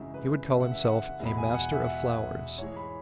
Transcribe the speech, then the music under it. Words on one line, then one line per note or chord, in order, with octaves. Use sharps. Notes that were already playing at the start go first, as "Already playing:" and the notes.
He would call himself a Master of Flowers.
Already playing: G#1 F#2 C#3 E3 G#3 E5
B4
E5
F#5
E5
F#5
E2 B2 G#3 E4
B5
G#5
F#5
E5
F#5
E5
G#2 E3 G#3 C#5
B5